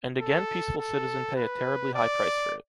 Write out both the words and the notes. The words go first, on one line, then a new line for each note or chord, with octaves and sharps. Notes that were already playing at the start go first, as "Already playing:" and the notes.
And again peaceful citizen pay a terribly high price for it.
A4
A4
B4
D5